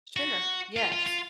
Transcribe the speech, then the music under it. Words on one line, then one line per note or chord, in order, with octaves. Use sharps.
Sure. Yes.
F#4
F4
F4
F4